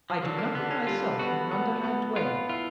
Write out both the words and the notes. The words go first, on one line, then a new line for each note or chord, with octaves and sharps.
I do nothing myself in an underhand way.
F3
D3 F#3
A#3
D3 B3
C#4
G3 F4
B3 F#4
B3
B3
B3 F4
E4 F4